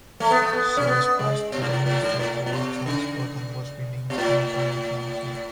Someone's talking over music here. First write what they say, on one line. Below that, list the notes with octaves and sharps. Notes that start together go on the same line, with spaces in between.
She was passed to the Ministry of War Transport and was renamed "Empire Gantry".
A3
B3
A3
B3
C#4
B3
G#3
B2
G#2
A2
A2
G#2
A2
A2
B2
C#3
B2
A2